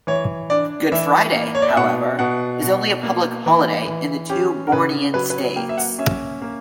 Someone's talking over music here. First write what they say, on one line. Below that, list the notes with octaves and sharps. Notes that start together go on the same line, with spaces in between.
Good Friday, however, is only a public holiday in the two Bornean states.
E3 C#5
D4 D5
E3 E5
A#3
C#5
D5
E5
B2 F#5
B2 F#5
B2
A#3
E3
E3
C#4 G4
A#4
C#3 B4
F#3 B4
B4
C#5
A#3 G5
E5
F#5
C#4 E5
A#3